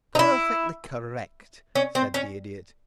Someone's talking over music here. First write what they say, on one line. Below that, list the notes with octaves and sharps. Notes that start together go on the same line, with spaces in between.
"Perfectly correct," said the Idiot.
D#4
E4
C#4
C4
C#4